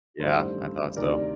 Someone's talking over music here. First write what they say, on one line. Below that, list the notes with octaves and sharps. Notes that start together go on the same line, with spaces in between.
Yeah. I thought so.
A1 G2 D#3 A4 C5
D2 C3 D#3 A#4 D5